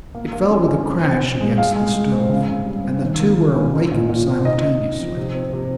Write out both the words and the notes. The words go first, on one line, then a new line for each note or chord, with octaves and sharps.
It fell with a crash against the stove, and the two were awakened simultaneously.
A#3
A#3
C#4
C#4
C4
C4
C4
G#3
G#3 F5
G#3
G#3
C4
C#3
C#3
G3
C4
D#3
A#3
D#3
C#4
D#4
A#2
A#2
C4
D#4 D#5
D#4
D#4
F3
C3
C4
C3